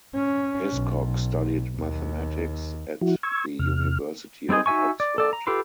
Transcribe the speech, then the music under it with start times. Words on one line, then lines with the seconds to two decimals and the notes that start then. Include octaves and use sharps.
Hiscock studied mathematics at the University of Oxford.
0.14 C#4
0.72 B1
1.78 D#2
3.01 F3 E4 F#4
3.23 C#6 E6 G#6
3.59 E2 C3 F6
4.49 G3 C4 D#4 G#4 D#5
4.66 D#4 F#4 E5 G#5 C#6
5.00 D5
5.18 A4 D5
5.33 A#5
5.47 F4 G4 A4 B4 C6